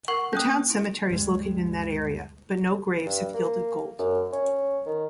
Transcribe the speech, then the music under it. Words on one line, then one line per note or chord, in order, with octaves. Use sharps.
The town cemetery is located in that area, but no graves have yielded gold.
A#4 F#5 C#6
A#3 C#4 D#6 F#6 G6
E4
D2 G2 G3 G#3
G2
A#3
F#2
C#4
D#3